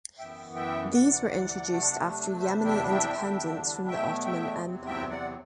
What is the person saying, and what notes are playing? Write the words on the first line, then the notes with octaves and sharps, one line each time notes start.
These were introduced after Yemeni independence from the Ottoman Empire.
F#2 E3 B3 E5 G5
E5 G5
D2 C3 E3 D5 F#5
C3 F#3 A3 D4
E2 C3 G3 D4 C5 E5
E5 G5
E5 G5
E2 D3 G3 D4
E2 B2 F#3 A3 E5 G5
E5 G5
E2 C3 F#3 C4
E5 G5
D5 F#5